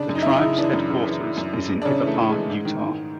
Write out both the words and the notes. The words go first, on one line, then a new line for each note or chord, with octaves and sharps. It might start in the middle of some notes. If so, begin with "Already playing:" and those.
The tribe's headquarters is in Ibapah, Utah.
Already playing: C#3 D4
F#2
D#4
E4
F#2 D#4
E4
C#3
E3 D4
F#2
C#3
E3
E3
F#2
F#2
F#2
D4
C#3 C#4
E3
A3
E3 A3
E3 G#3
G#2
D#3
G#2